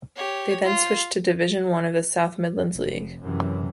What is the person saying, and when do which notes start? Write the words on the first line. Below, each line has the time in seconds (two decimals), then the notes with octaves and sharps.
They then switched to Division One of the South Midlands League.
0.16 G4 C#5
0.64 F4
2.72 F1
3.21 F#2 C3 E3